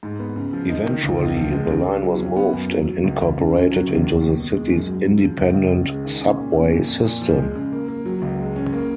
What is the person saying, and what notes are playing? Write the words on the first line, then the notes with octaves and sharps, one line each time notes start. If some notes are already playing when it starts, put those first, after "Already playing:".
Eventually, the line was moved and incorporated into the city's Independent Subway System.
G#2
B3
C#3
F3
D#4
D#3
C#2
C#2
F3
G#3
C#3
C#3
F#3
C#4
B3
F#2
F#3
F#3
C#2
C#2
C#3
C#4
F#3
C#2
D#2
D#2
B2
G#3
F#2
F#3
C#3
F3
C#2
C#2
C#4
G#3
D#3
C#4
A#2
A#2
F2
F2
A#2
F3
G#3
C#3
A#3
A#3
F#3
C#2
G#3
C#4
A#3